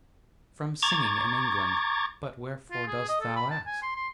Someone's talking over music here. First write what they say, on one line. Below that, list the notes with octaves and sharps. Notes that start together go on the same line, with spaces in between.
'From singing in England; but wherefore dost thou ask?'
A#5 C#6 D6 G#6 A6
F4
G#4
D#5
A4
B5
A5
G#5
C6
C6